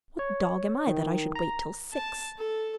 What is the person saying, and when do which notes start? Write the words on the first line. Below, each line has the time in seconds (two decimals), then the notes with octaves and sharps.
"What dog am I that I should wait till six?"
0.19 C#5
0.87 D#3
1.35 A#5
1.93 A5
2.38 A4